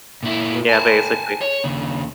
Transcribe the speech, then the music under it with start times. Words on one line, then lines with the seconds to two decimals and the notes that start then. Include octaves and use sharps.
Yeah, basically,
0.23 A#2 E4
0.69 G#5 A5
1.41 C#5
1.64 D#2 C#3